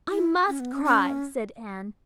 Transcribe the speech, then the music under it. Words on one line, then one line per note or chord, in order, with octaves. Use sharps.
"I must cry," said Anne.
E4
C#4
B3
C#4
C#4